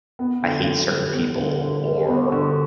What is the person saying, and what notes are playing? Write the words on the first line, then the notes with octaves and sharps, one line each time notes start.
I hate certain people or
B3
D3
D3
G3
B3
D3
D3
G3
B3
D3